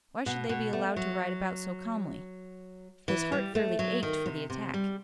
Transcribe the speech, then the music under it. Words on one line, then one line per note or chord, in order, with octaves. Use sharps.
Why should they be allowed to ride about so calmly? His heart fairly ached for the attack.
B2
B2
A3
F#3
E3
G3
A3
F#3
D#3
C3
C3
G3